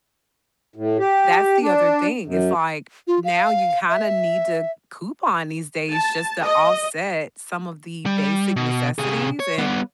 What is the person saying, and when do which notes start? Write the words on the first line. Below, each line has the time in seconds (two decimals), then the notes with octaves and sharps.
that's the other thing, it's like, now you kinda need to coupon these days just to offset some of the basic necessities, and
0.76 A2
0.99 G4
1.62 D4
2.26 F#2
3.07 F4
3.24 F5
3.89 E5
5.94 A5
6.43 D#5
8.06 G3
8.56 B2
8.98 C3 G#4
9.40 C#5
9.58 G3 B3